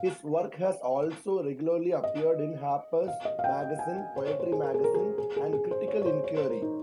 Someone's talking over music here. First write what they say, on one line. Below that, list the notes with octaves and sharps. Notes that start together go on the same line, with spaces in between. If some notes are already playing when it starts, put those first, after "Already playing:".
His work has also regularly appeared in Harper's Magazine, Poetry Magazine, and Critical Inquiry.
Already playing: F5
D#5
F5
D#5
F5
G5
G#5
G5
C5
C#5
C5
G#4
A#4
G#4
A#4
G#4
G#4
G#4
G#4
C5
C#5
C#5
C5
C#5
C5
A#4
D#4